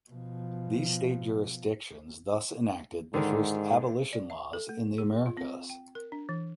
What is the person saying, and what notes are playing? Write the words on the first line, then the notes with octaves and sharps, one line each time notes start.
These state jurisdictions thus enacted the first abolition laws in the Americas.
B2 F3
G#2 D3 D#3
D5
E5
A4
A3
G#4
F4
C4
G5
A#4
D4
E3